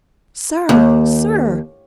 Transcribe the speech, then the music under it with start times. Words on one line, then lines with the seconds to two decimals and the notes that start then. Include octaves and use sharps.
"Sir! sir!"
0.69 D#2